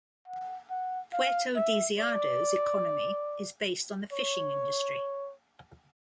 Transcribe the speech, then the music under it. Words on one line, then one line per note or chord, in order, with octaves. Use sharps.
Puerto Deseado's economy is based on the fishing industry.
F#5
F#5
F5
E5
D5
C#5